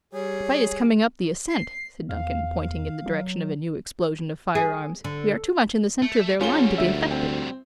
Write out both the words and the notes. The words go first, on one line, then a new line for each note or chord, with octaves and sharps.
"The fight is coming up the ascent," said Duncan, pointing in the direction of a new explosion of firearms; "we are too much in the center of their line to be effective."
G3 G#4 C#5
C7
E2 F5
F#3
G#4
D3
A3
G3 C#4 F4 F#4 G#4 G7
D2 E5
C4